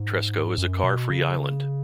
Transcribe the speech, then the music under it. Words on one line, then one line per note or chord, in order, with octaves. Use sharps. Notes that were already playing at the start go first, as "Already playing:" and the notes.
Tresco is a car-free island.
Already playing: G#2
F#2
B2
C#3